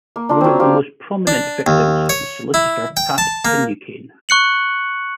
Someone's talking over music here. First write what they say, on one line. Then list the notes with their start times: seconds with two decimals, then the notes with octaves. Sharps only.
One of the most prominent victims was solicitor Pat Finucane.
0.16 A#3
0.29 D4 F4 A#5
0.41 F#3 C4
0.60 G4 C5 F5
1.27 D4
1.67 D#2
2.09 C#5
2.54 E4
2.97 G5
3.18 A5
3.45 A#3
4.29 C#6 F#6 C#7 F#7